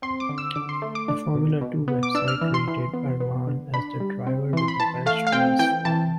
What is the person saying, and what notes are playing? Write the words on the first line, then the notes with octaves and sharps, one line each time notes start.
The Formula Two website rated Armaan as the "Driver with the Best Race Form".
C4 C6
D6
D3
E6
D3 D6
C6
A3
D6
D4
B2
B2
B3
D6
D4 E6
F6
E3
C6
E3
B3
B3
D3
D4 B5
G3
C4
E3 C6
B5
E3 A5
A3 F5
F5
C4 G5
E3 G5
E3 A5